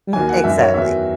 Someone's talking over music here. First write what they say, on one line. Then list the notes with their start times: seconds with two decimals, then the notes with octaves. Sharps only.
Mm, exactly.
0.13 D#2 D#3 F#3 G#5
0.29 F#5
0.44 F#2 D#3 F#3 E5
0.59 C#5
0.74 E2 D#3 F#3 E5